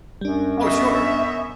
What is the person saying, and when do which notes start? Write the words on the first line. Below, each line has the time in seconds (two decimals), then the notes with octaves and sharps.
Oh, sure.
0.21 F#2 G3 D4
0.64 B3 C#5 D#5 E5